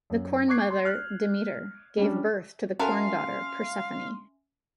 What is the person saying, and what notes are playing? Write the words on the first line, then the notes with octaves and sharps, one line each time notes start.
The Corn Mother Demeter gave birth to the Corn Daughter Persephone.
F#2
C#6 D6 F#6 G#6 C7
C6
F6 F#6
G3 C#4 D4
C#4 F#4 A4 A#4 E5 F5 G#5 C6